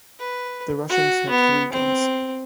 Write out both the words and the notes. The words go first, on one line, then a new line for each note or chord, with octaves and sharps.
The Russians had three guns.
B4
F#4
B3
C4